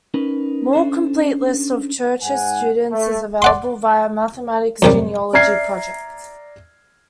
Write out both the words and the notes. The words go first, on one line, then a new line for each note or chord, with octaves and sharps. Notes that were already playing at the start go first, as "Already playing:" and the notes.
A more complete list of Church's students is available via Mathematics Genealogy Project.
C#4 D#4 A#4 B4 B5
C#4 D4 A4 C5
G#2 F#5 G#5
A3
D5 F#5 C6
F#2 C3 G3
D5 E5 A#5 F6 G#6 C7